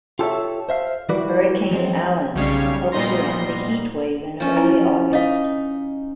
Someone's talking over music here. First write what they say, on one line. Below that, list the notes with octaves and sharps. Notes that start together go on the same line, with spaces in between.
Hurricane Allen helped to end the heat wave in early August.
F4 G4 A4 A#4 C#5 E5
C5 E5 F5
E3 G3 E4 F#4 B4 D5
F3 G#3 C4
B1 C#3 G3 C#5 F5 C#7
A#2 G3 B3 D#4 C6 A#6
F3 C#4
E4 G#5
D#4 D#5 F5